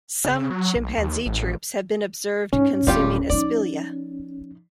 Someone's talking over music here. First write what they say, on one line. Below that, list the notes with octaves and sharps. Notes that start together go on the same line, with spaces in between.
Some chimpanzee troupes have been observed consuming aspilia.
C#3
F#3
B1
D#2
A1
G#2 C#4
D1 G3 F4 G4
F3 D#4 D5